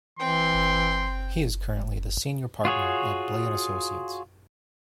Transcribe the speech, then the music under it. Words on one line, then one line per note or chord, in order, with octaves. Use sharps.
He is currently the Senior Partner at Blay and Associates.
E3 C4 G5 C6
F4 F#4 G#4 C#5